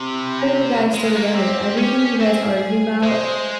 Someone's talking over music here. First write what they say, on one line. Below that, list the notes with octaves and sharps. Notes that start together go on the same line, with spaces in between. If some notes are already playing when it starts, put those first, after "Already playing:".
Why are you guys still together? Everything you guys argue about
Already playing: C3
E4
E4
G#3 F4
A#3
C4 G4
C#4 G4
C4 G#4
G#3 C5